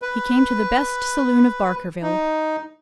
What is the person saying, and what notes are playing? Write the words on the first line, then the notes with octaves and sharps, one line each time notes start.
He came to the best saloon of Barkerville.
B4
D#4